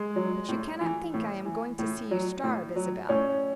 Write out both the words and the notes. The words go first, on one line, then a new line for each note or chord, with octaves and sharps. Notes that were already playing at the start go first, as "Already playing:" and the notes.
But you cannot think I am going to see you starve, Isabel.
Already playing: G#3
F#3
A2
E3
A2
E3
A2
F#3
A2
F#3
A2 C#4